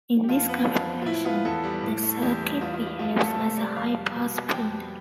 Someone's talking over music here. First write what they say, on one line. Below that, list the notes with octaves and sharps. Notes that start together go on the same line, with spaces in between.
In this configuration, the circuit behaves as a "high-pass filter".
G4
F2 F4
B3
F2
F3
F4
A2 E4
B3 F4
E2 A4
G3
A2
A3
E2 G4
G3
E2 F4
F4
G3
F4
G2 F4
A3 A4
C3 A4
G3 D5
F2 F5
G3
B2
B3
F2 G5
G3